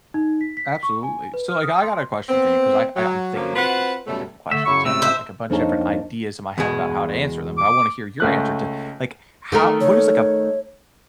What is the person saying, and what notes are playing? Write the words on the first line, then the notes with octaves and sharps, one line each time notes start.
Absolutely. So, like, I got a question for you ‘cause I I I'm thinking of these, like, different questions. I've got, like, a bunch of different ideas in my head about how to answer them, but I wanna hear your answer to, like, how what is, like, a
D#4
B6
B6
C#6
G#5
B4
F6
D#6
C6
B3 C4
F#3
F#2 D3 F3 F#3 A#3
C4 F4 F#4 B4 C5 F#5
F#2 B2 F#3 G3 A3
D3 A3 E5
F#2 C#3 F#3 E4 C#6
C#2 A2 C3 A3 E6
C5 E5
F2 A#3 D4 D#4 C#5 A5
E2 B2 G#3
D6
C#2 A3 F#6
D#3 A3 A#4
C#5